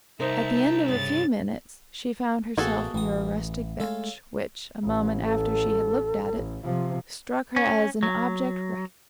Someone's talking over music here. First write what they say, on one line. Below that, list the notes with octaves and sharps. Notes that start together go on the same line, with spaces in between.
At the end of a few minutes she found herself near a rustic bench, which, a moment after she had looked at it, struck her as an object recognised.
C2 D#4 A#4 C5 D#5 E5 A5
G2 C#3 A6
A1 B2 A3 A#3 F#4 G#4 A4
A1 E3 D#6
G#3 A3 A4 C#5 F5
A1
A4
A1
C3 F3 F4
C#4
F#3